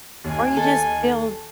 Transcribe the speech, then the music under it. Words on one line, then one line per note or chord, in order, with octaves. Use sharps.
Or, you just feel
D#2 D#4 G#5
A4